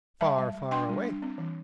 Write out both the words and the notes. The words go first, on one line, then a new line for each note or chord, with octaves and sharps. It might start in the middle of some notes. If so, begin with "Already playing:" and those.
"Far, far away!"
G3 E5 A5
G3
G3
D4 G5 C6
G3
D4
C4
E3